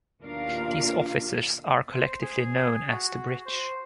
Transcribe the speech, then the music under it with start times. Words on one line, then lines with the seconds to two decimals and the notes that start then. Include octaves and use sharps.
These officers are collectively known as the Bridge.
0.21 D#2 B2 D4 F4 A#4 F5
1.93 C5
2.22 G#4
2.88 F#4
3.46 C5